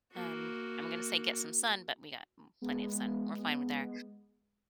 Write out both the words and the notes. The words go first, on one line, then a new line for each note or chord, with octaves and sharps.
Um, I'm gonna say get some sun, but we got m plenty of sun. We're fine with there,
A#3 F#4
G#3 B3